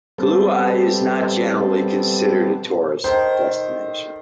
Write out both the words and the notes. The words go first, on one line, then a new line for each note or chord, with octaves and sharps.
Kahului is not generally considered a tourist destination.
G3 B3 C4 A4
D#3 A4 C5